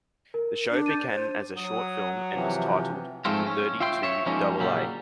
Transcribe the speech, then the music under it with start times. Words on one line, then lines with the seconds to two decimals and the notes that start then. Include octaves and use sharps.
The show began as a short film and was titled "Thirty-Two Double A".
0.34 A#4
0.71 D4
0.86 G6 A6 D#7
1.11 C5
1.57 F#3 D#6
2.35 C3 E3 F3
3.25 G#2 F3 G#3 A3 C4 F4
3.47 C#4
3.80 F4 E5 G5 C6
4.03 C#5 E5
4.26 F3 G3 G#3 A#3 C#4 D#4
4.60 A#2 C#3 F#3 G3